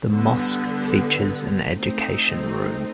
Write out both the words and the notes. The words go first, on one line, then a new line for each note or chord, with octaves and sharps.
The mosque features an education room.
D3 G3 B3
A3 C4 D#4